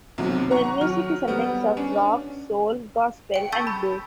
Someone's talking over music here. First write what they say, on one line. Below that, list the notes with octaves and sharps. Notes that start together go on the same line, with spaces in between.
Their music is a mix of rock, soul, gospel and blues.
B1 C3 F#3
F#5 A#5 C#6
F#3 F6
G3 B3
C#4 D4
G5 D7
A5 C#6 E6 G6 A6 B6
B5